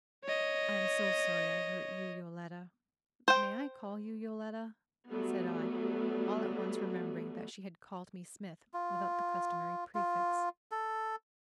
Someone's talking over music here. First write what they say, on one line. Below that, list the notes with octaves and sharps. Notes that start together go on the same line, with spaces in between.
"I am so sorry I hurt you, Yoletta--may I call you Yoletta?" said I, all at once remembering that she had called me Smith, without the customary prefix.
C#5 D#5
C5 G5
F#3 G3 A3 B3
F4
F4
A4